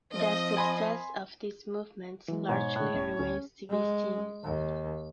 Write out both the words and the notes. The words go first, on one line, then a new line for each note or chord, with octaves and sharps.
The success of these movements largely remains to be seen.
F3 C4 D#5
G#5 B5 C6
E3 F#3 G#3
G#2 B2 C#5
A2 D3 F#6
E1 C#4
D2 C#4
G#3
D#2